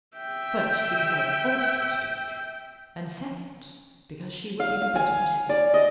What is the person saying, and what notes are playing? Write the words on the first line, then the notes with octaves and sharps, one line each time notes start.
First, because I forced him to do it; and, second, because she would be the better protected.
E5 G5
F5
F5
G#5
D5
D#5